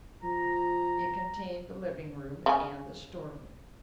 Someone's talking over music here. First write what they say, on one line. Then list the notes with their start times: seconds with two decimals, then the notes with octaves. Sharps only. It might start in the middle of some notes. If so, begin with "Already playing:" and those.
It contained the living-room and the storeroom.
0.23 F3 A#5
2.46 C#3 G#5